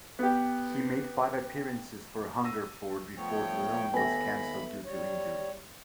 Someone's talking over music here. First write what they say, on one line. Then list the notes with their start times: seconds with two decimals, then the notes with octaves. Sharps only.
He made five appearances for Hungerford before the loan was cancelled due to injury.
0.19 B3 G4
2.44 E6 A#6 D#7
3.17 F3 A3 B3 C#5 G5
3.94 D#2 B3 A4 E5 G#5 B5 A#6
4.84 G3 C#5